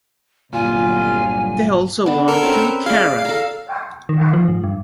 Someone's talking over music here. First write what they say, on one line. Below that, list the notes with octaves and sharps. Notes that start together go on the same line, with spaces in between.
They also won two Kerrang!
G1 C2 A#2 F#3 F4 G#5
B3 D4
A4 A#4
C4 C#4 B4
G#4 D5 F5
A4 A#5
D#3
D#3
F3
G#2
G2